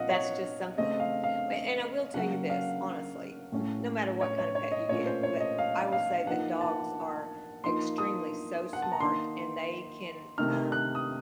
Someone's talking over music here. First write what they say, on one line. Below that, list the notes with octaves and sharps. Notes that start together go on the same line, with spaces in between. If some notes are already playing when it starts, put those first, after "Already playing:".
that's just something, a and I will tell you this honestly, n no matter what kinda pet you get but I will say that dogs are extremely so smart, and they can, um
Already playing: A#2 F3 C4 D#5 F5 F#5
C#5
C#3 A3 C4 D#5
F5
F5
C#3 F#3 A#3 C#4 F#5
F5
A2 A3 C#4
C#5
C#5
C#5
D#5
A#2 A3 C#4 C#5
C5
C#5
D#5
F5
F5
F3 A#3 D#4 F#5
A5
F3 A#3 D#4 C6
D#6
F#5
A5
A#5
D#3 A#3 D#4 C6
C3 D#3 A3 D#4 F6
F#6
D#6